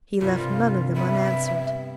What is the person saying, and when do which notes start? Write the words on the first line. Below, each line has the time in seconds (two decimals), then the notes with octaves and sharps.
He left none of them unanswered.
0.21 C2 G2 F4
0.96 G3 B3 E5